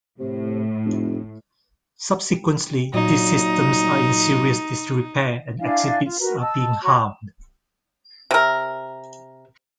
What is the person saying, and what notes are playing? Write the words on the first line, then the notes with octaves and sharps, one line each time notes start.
Subsequently, these systems are in serious disrepair and exhibits are being harmed.
A2 C3
F1
A#2 F#3 D#4
D4 E4 F5 G#5
F4
F#4 A#4 B4
D#5 A5 E6
F#4 C#5 A#5 C#6
C3 A#4